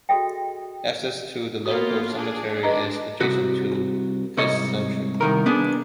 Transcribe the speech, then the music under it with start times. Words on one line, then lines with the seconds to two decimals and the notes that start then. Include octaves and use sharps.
Access to the local cemetery is adjacent to this centre.
0.09 F#4 G#4 A4 D#5 E5 G5
1.66 A#3 B3 F4 F#4
2.12 D4 G#4
2.63 G#3 D4 B4 D#5 A#5
3.20 C2 F#4
4.37 C2 G#2 C#5 D#5
5.21 C2 D#3 A#4
5.46 B3 D4 G#4